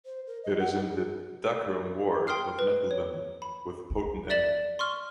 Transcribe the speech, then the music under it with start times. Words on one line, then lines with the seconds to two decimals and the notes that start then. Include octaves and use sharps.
It is in the Dacorum Ward of Nettlden with Potten End.
0.06 C5
0.27 A#4
0.44 D#5
0.59 F#5
0.73 D#4
0.91 G#4
2.27 G5 C6 D#6 F6 C7
2.59 B4
2.91 C#5
3.42 B5
4.30 D5 E5 A6 E7 F#7
4.79 C6 C#6 F6